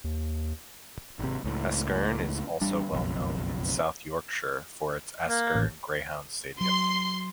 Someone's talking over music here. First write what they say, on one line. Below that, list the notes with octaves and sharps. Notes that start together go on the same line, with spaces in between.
Askern is also well known in South Yorkshire for its Askern Greyhound Stadium.
D#2
G#1 C3
C#2 A2
A1 G3 D4
F#1 B1 F2
A#3
A1
F#3 C6